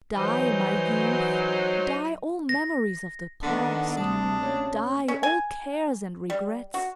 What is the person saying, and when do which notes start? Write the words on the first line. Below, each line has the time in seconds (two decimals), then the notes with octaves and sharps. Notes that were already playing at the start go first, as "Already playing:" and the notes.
Die, my youth, die all memories of the past, die, all cares and regrets!
0.17 E3 F#3 D#4 C5
2.49 A#6
3.43 D3 D#3 B3 D4 F#5 B6
3.97 D2 C3 G3 D4 A5 D#6
4.43 A#3 C#4 C#5
5.08 C#4
5.23 G#5
6.30 G3
6.74 F#4